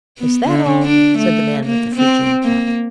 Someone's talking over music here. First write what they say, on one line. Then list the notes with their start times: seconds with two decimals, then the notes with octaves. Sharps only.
"Is that all?" said the man with the phrygian cap.
0.18 B3
0.47 D3
0.83 D4
1.18 A3
1.65 A#3
1.96 C4
2.43 A#3